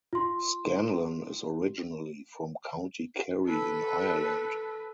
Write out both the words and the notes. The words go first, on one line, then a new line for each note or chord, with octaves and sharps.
Scanlon is originally from County Kerry in Ireland.
F4 C6
A4 B4